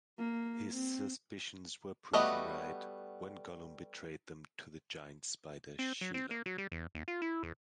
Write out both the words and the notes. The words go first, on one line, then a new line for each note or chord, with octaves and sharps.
His suspicions were proven right when Gollum betrayed them to the giant spider Shelob.
A#3
C4
G3 A3 B3 F#4 D#5
C4
F#3
C4
A#3
F#3
G3
E2
D#2
F4
E4
E2